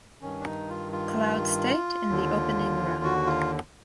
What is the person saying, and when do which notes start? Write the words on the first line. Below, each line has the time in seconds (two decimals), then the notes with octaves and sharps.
Cloud State in the opening round.
0.21 G2 D#3 C#4
0.40 D4
0.45 D#4
0.69 F4
0.92 F4
2.09 D#2 D3
3.04 F#4
3.27 F4